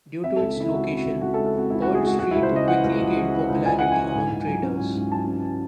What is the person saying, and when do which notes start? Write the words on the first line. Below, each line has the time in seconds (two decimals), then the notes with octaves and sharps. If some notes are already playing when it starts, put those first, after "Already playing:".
Due to its location, Pearl Street quickly gained popularity among traders.
0.23 C4 E5
0.36 C#2 A4
0.56 C#3 E4
0.73 G#3 F#4
0.85 C4 E4
0.97 F#4
1.05 C#2
1.21 C#3 F#4
1.34 A4
1.38 G#3
1.46 A4
1.54 C4 F#4
1.70 C#2 E4
1.82 C#3 F#4
1.95 G#4
2.03 G#3 F#4
2.19 C#2 F#4
2.31 C#2 E4
2.43 C5
2.52 C#3 D#5
2.68 E3 F#5
2.84 C#2
3.00 C#2
3.16 C#3
3.33 E3
3.49 C#2
3.65 C#2 G#5
3.79 C#3 F#5
3.92 G#5
3.97 E3
4.14 G#2
4.30 G#2
4.46 F#3
4.63 C#4
4.79 G#2
4.95 G#2
5.12 F#3 A5
5.27 C#4